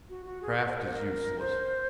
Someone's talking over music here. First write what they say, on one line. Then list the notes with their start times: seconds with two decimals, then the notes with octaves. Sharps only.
Craft is useless!
0.09 F#4
0.26 F#4
0.42 G#4
0.58 A#4
0.67 C5
0.75 A#4
0.84 C5
0.92 A#4
1.39 C5